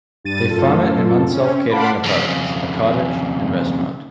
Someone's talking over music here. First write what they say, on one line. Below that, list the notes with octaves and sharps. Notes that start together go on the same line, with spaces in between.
They farm it and run self-catering apartments, a cottage, and restaurant.
G2 A6 D#7
F#2 A2 F4 A4
C4 C#4
F5 F#5 A5 B5 C6 D6
F2 C#3